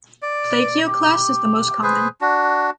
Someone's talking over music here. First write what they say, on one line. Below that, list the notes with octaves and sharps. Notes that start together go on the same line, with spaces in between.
Plagioclase is the most common.
D5
G4
G#4 B4 C5
D4 F#4